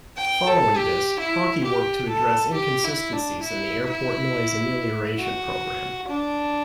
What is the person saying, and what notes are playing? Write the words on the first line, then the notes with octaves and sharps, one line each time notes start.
Following this, Hockey worked to address inconsistencies in the airport noise amelioration program.
G5
A4
G4
E4
G4
A4
G4
E4
D4
E4
E4
F#4
D4